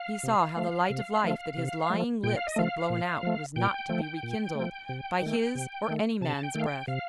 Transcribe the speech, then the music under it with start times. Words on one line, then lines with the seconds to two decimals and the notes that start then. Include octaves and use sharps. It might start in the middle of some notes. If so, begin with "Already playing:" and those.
He saw how the light of life that his lying lips had blown out was not to be rekindled by his or any man's breath.
Already playing: F5
0.23 C3
0.56 F3 A3
0.90 C3
1.24 F3 A3
1.57 C3
1.90 F3 A3
2.23 A#2 G5
2.36 F5
2.47 D#5
2.56 F3 A3 F5
2.90 A#2
3.23 F3 A3
3.56 A#2 G5
3.89 F3 A3
4.23 A#2
4.55 F3 A3
4.89 C3
5.22 D#3 A3
5.55 C3
5.88 D#3 A3
6.21 C3 A5
6.43 G5
6.55 D#3 A3 F5
6.66 G5
6.87 C3 F5